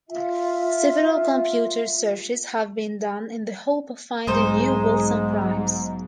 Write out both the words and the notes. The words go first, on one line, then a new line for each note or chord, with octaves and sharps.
Several computer searches have been done in the hope of finding new Wilson primes.
F4 E5
B1 G#2 G#3 D#4 C5